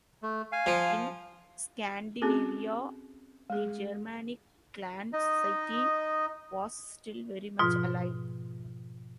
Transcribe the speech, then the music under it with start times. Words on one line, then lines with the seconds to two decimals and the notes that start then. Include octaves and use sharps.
In Scandinavia, the Germanic clan society was still very much alive.
0.23 A3
0.52 F5 G#5
0.66 F3
2.22 C4 C#4 F#4 G#4 A4
3.50 G#3 G#4
5.13 D#4 D#5
7.59 G#2 B2 F3 F4